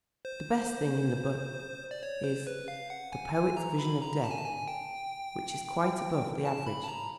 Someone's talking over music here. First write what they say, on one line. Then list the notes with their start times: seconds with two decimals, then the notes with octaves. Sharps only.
The best thing in the book is The Poet's Vision of Death, which is quite above the average.
0.25 C5
1.91 D5
2.03 C#5
2.24 C5
2.47 B4
2.68 F5
2.90 F#5
3.12 G#5
3.34 G#5
3.57 A#5
3.79 B5
4.01 A#5
4.24 A5
4.31 G#5
4.37 A5
4.45 G#5
4.68 G5
6.45 A5
6.66 B5
6.83 A5
6.88 A#5